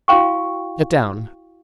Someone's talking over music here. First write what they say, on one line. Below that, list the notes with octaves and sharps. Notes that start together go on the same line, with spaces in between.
"Get down."
E4 F#4 F5 G5 C#6